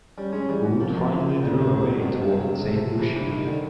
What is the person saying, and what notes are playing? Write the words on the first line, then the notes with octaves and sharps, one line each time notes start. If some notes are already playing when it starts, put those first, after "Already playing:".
Hood finally drew away toward Saint Lucia.
G3 C#4
G#3 C#4
E3 G3
F#4
F3 A#3
C3 F3
E3 F3
D#3 F3
D2 D3
D2 C3
C3 F#3
B2 C4
A#2
B2 G#3
C3 G#3
C#3 F#3
C3
A3
F3
C3 E3
G2 C3
C3 D#3
D3 D#3